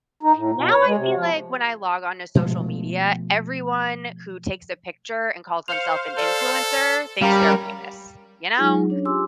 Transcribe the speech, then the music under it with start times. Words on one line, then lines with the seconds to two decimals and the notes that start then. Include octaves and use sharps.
Now I feel like when I log on to social media, everyone who takes a picture and calls themself an influencer thinks they're famous. You know?
0.23 D#4
0.36 A2
0.55 B2
0.71 C#5
0.86 G#3
0.98 C3
1.16 F3
2.35 B2 F3 G#3 A3
5.68 C5 F5 C#7 F7
6.18 A4 D5
7.22 G3 C#4 G4 A#4 F5 A#5 B5
8.57 F#3 G#3 D#4 F4 G#4
8.89 C#4 D4 C#5
9.05 F4 G4 G#5 C6 D6 E6